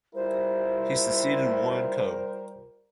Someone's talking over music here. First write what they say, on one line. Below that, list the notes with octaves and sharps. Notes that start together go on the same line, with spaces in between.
He succeeded Warren Keogh.
G3 E4 F4 A#4 C5